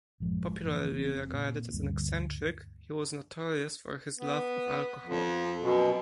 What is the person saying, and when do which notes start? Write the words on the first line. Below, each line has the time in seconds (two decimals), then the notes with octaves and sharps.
Popularly regarded as an eccentric, he was notorious for his love of alcohol.
0.20 A1 F#2 F3 G#3
0.67 E3 A#3
0.92 F1 C4
1.34 A#2
1.73 D2 G2
4.19 B3
5.04 F2
5.62 F#2 B2